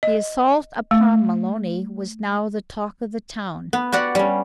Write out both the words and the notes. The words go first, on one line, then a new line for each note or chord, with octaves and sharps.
The assault upon Maloney was now the talk of the town.
D#5
A3
B3
F#4 G4 D5 F#5
G3 C#4